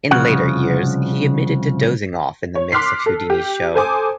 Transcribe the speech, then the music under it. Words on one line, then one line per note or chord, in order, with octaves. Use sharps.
In later years, he admitted to dozing off in the midst of Houdini's show.
C2 C#3 F3 F#4 F#5
C#5
C6 D6 F6 F#6 B6 C7
A4
G4
A4 C5 G#5 D6 D#6